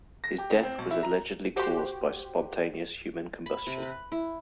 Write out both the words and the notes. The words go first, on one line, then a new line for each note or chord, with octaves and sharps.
His death was allegedly caused by spontaneous human combustion.
A#6
G4
C#3
C4
B1
E4
A#5
F#4 G4 C5
B5
C3
B4
E4